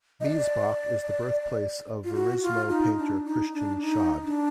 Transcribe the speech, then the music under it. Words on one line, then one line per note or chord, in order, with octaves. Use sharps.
Miesbach is the birthplace of Verismo painter Christian Schad.
D#5
D5
F4
F#4
F4
D#4
D4
D#4
D4
D#4
D4